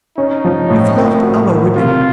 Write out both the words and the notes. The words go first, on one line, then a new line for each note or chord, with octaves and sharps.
You've loved other women.
C#4 D#4
F3
A2
A#4
F#4
A#4
C3 F4